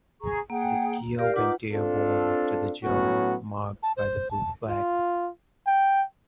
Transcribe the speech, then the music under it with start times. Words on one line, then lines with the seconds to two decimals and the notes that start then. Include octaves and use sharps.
The skier went airborne after the jump marked by the blue flag.
0.21 G#4 A#5 C#6
0.50 A#3 G#4 F#5 G5
1.19 G4 A#4 D5 F5 F6
1.36 D#4 F4 B4 F#5 D6 G6
1.73 C4 D4 F4 A4
2.84 A2 F#3 B3 C#4 F#4
3.83 A5
3.97 C5
4.31 A5
4.69 F4
5.67 G5